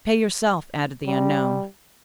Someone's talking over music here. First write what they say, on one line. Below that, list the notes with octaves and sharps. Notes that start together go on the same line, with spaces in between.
"Pay yourself," added the unknown.
G3